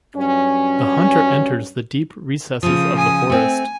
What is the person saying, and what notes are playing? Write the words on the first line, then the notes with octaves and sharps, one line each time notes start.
The hunter enters the deep recesses of the forest.
G2 F#3 C#4
C#3 F3 D#6
G#5 D#6
A3 C4 G#5